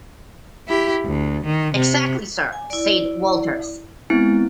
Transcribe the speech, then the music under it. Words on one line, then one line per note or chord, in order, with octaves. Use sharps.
"Exactly, sir," said Walters.
E4 G4
D2
D#3
C3
G#5
E4 D5
G#3 B3 C4 E4